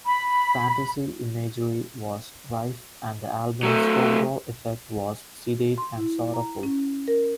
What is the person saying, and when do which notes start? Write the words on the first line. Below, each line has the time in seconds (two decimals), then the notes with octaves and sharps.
Fantasy imagery was rife and the album's overall effect was sedate and sorrowful.
0.05 B5
3.63 F#3 A3
5.78 C6
5.98 E4
6.34 A#5
6.63 C#4
7.08 A#4